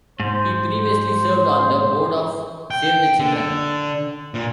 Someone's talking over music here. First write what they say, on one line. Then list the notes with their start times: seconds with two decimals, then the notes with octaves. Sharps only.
He previously served on the board of Save the Children.
0.20 G#2 C5
2.71 G5
3.19 D3
4.34 A#2